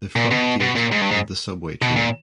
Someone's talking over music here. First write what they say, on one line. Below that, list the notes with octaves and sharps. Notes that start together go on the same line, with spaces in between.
The front gate and the subway train.
A#2
B2
B2
A#2
G#2
G2
G#2
B2
A#2